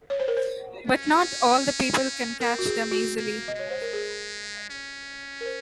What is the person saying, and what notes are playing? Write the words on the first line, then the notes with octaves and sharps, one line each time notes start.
But, not all the people can catch them easily.
C#5
C5
A#4
C5
C#4
C4 A#4
F#4
G#4
F#4
A#3
D#5
G#3 C#5
C5
A#4
G#4
C#4
A#4
C5